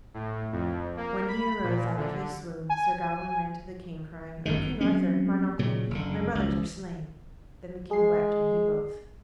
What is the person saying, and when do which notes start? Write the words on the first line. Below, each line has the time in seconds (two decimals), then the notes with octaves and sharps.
When he arose out of his swoon Sir Gawain ran to the king, crying, "O King Arthur, mine uncle, my brothers are slain." Then the king wept and he both.
0.14 A2
0.52 F2
0.97 A#3
1.28 B5
1.63 A#2
1.97 D3
2.69 G#5
4.45 G1 F#2 D#3
4.81 F#3 A#3 C4 C#4
5.59 A#2 C#3 F#3
5.91 F#1 D3
6.35 C#2
7.91 G#3 G#4 C7